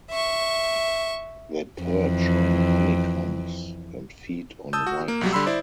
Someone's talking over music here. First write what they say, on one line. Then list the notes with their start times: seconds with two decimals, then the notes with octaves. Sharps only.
They perch on honeycombs and feed on wax.
0.11 E5 C#6
1.82 F2 E3
4.73 A5 D#6 E6 G6
4.87 F#4
5.08 A#3
5.21 B1 F#3 G3
5.33 D3 G3 B5 C6 E6
5.47 E4 C5 D5